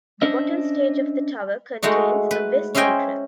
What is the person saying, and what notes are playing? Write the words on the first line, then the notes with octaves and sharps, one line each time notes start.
The bottom stage of the tower contains a west entrance.
C#4 D4 C5 D#5 E5
G#3 A3 D#4 F#4
B4
C#4 E4 C5 D#5 G5 G#5